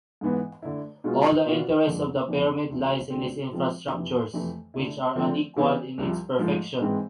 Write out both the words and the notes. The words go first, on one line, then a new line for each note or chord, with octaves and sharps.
All the interest of the pyramid lies in its infrastructures, which are unequalled in its perfection.
G#2 E3 B3
D3 A3 E4
B2 G#3 B3 F4
B2 B3 D4 F4
F2 D3 G#3
F2 C3 E3 B3 D4
D2 C3 E3
D2 D3 G#3 C4
C3 F3 G#3 C4
F2 C3 E3
F2 C3 E3 A3
D3 A3 E4
D3 F3 A3 C4
C3 E3 B3 D4
C2 C3 F3
G#2 F3 A3
G#2 E3 G#3 C4